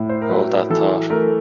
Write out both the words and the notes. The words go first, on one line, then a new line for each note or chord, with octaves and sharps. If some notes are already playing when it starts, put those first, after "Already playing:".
Hold that thought.
Already playing: A2
C5
A#4
F#3 B4
E3 A4
A3 A#4